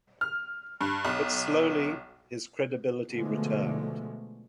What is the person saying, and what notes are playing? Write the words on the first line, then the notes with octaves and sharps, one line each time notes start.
But slowly his credibility returned.
F6
G2
B1
B2 D3 F3 G#3 A3